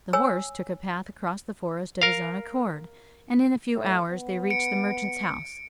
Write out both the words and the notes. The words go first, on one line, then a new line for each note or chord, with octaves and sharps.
The horse took a path across the forest of his own accord, and in a few hours they reached the merchant's house.
C#5 G#5 E6
A#4 F5
A2
B3
C#7 D7